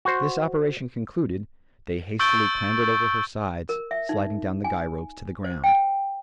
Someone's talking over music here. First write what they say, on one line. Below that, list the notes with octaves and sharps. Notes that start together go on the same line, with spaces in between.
This operation concluded, they hastily clambered over her sides, sliding down the guy ropes to the ground.
F#4 C5
C#6 E6 G6 A6 D7 G7
A#4
E5
D#4
G#5
C5
G5